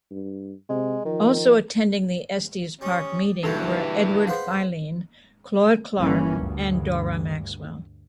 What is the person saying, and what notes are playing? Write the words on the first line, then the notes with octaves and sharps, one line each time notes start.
Also attending the Estes Park meeting were Edward Filene, Claude Clark, and Dora Maxwell.
G2
C3 G#3
D#3 F3
G3 C#4 D#6
G2 B2 D3 E3 A#3 D#4 A4 A#4
G#4 B4 C5 F5 F#5 B5
G1 G2 E3 G3 A#3 C#4
D2 G2